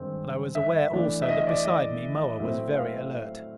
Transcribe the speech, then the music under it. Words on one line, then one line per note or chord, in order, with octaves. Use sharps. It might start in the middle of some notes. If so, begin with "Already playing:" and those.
But I was aware also, that beside me Moa was very alert.
Already playing: G2 D#3 G#3 C4
E5
E3 A3 D4
E5
D#5
D#5
D5
D#5
A2 F#3 A3 C4 E5
F5